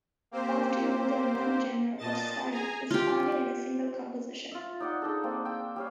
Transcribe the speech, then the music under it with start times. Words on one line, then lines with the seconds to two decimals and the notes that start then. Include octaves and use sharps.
Often more than one genre or style is found in a single composition.
0.31 A#3 C4 G4 C5
1.98 A#2 D#5 A5 A6
2.51 G#4 G#5 A#5
2.91 F4 G4
4.51 F4 E5
4.80 D#4 D5 D#5 F#5
5.02 D4 D#4 G#4 A4
5.23 A#3 C4
5.45 G5 E6
5.76 G3 C#4 F5